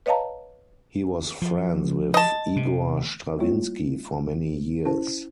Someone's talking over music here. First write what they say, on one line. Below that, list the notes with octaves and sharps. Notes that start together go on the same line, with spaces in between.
He was friends with Igor Stravinsky for many years.
B4 C#5 D#5 F5 A5 A#5
F3
D#5 A5
C3
G3 A#3 E4 F4 C#5
C#4 E4 C5 A5